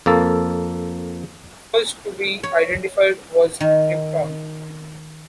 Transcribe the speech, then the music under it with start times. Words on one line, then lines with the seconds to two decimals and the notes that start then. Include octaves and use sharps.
First to be identified was krypton.
0.06 F2 A#3 A4
2.43 C#5
3.61 D#3